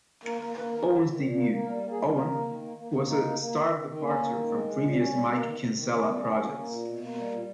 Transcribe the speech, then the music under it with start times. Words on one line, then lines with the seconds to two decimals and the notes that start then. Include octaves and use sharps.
Owen's debut, "Owen" was a stark departure from previous Mike Kinsella projects.
0.24 A#3 A#4
0.40 A#3 A#4
0.56 A#3 B4
0.72 D#3 A#4
0.88 D#3
1.03 D#3
1.19 A#2
1.35 A#3
1.50 A#3
1.66 G3 A#4
1.82 A#3
1.90 G#4
1.98 G3
2.13 A#3 A#4
2.29 A#3
2.45 D#3
2.61 A#3
2.76 A#3
2.92 A#3
3.07 A#3 D#4
3.24 A#3
3.39 A#3
3.55 D#3
3.70 D#3
3.86 D#3
4.02 A#3 C#4
4.18 A#3
4.33 D#3
4.49 G#3
4.64 G#3
4.81 A#2
4.96 G3 C#4
5.12 G3
5.28 A#3
5.44 D#3
5.60 D#3
5.74 D#3
5.90 D#3 C#4
6.03 G3 B3
6.18 D#3 C#4
6.38 A#3
6.53 A#3
6.69 A#2
6.85 B2
7.01 A#3
7.16 G3
7.31 A#2